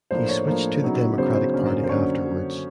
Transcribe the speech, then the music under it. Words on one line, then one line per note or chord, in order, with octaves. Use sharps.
He switched to the Democratic Party afterwards.
A2 F3 A#3 D4 C5
C#5
A2 F3 A#3 D4
C#3 F#3 B3 D#4
C#3 F#3 B3 D#4 C5
C5
F#2 D3 F#3 A#3 C#4
C5
D3 F#3 A#3 C#4 C#5